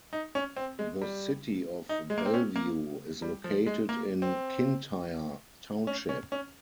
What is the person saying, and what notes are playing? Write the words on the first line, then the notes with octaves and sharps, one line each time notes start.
The city of Belview is located in Kintire Township.
D#4
C#4
C4
G#3
G3
D#4
G#3
A#3
C4
C#4
A#3
G3
F3
G#3
A#3
C4
C#4
C#4
C#4